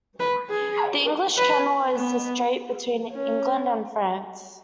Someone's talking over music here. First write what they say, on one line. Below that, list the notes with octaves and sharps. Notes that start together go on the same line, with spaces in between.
The English Channel is the strait between England and France.
B4
G#4
B4
B3
C#4